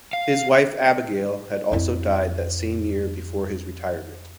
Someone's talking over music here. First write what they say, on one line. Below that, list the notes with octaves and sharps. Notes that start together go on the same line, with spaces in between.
His wife Abigail had also died that same year before his retirement.
F5
F2 E4